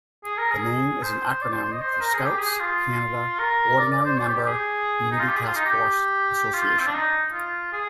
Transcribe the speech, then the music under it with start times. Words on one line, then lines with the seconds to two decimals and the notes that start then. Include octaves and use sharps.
The name is an acronym for "Scouts Canada Ordinary-member Unity Taskforce Association".
0.24 G#4
0.38 A#4
0.51 G#4
1.02 C5
1.42 D5
1.52 C5
1.62 C5
1.72 D#5
1.81 C5
2.01 A#4
2.14 G#4
2.25 G4
2.39 G#4
2.60 F4
3.39 A#4
3.79 D5
3.92 D5
4.05 C5
4.18 D5
4.28 G4
4.38 G4
4.47 G#4
5.11 D#4
5.19 F4
5.28 G4
5.36 G#4
5.46 F4
5.55 D#4
5.65 G4
6.54 F4
6.79 C4
6.87 D4
6.94 D#4
7.33 F4
7.72 G#4